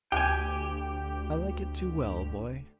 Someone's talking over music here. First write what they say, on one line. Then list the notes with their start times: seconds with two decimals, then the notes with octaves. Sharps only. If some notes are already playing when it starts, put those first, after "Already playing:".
"I like it too well, boy."
0.12 D2 G4 G5 G#5